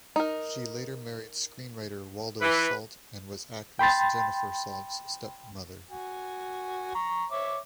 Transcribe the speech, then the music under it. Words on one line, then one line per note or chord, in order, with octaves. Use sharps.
She later married screenwriter Waldo Salt and was actress Jennifer Salt's stepmother.
D#4 A#4
E3 B4
G5 B5 C6 A6
F#4 G#5
A#5 C#6
C#5 E5 D6